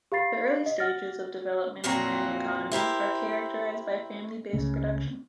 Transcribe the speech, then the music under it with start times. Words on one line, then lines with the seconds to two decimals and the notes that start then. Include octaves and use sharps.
The early stages of development in many economies are characterized by family based production.
0.12 G4 F5 B5 A6 C7
0.66 D#5
0.78 F#5 F6 A6 A#6
1.84 F2 A#2 E3 C4 F#4 A#5
2.72 E4 G4 A#4 C5
4.53 C#2 C#3 A3